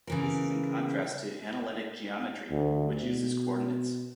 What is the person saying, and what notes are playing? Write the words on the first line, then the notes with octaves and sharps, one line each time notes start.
This is in contrast to analytic geometry, which uses coordinates.
C#3 E3 A#4
D2
B2